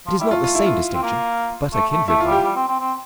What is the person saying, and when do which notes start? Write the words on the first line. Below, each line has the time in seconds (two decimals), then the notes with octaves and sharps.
It is not the same distinction, but a kindred one.
0.06 F3
0.19 G3 E4
0.31 A3 F4
0.44 F4
0.55 E4
0.66 F4
0.94 C4
1.02 A#3
1.73 A3
1.91 A3
2.08 A3 E4
2.21 F4
2.26 G3
2.32 G4
2.44 G3
2.56 C4
2.68 C4
2.80 C4